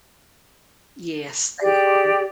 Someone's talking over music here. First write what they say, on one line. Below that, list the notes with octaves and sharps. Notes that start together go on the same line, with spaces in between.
Yes, they are.
G4 G#4 D5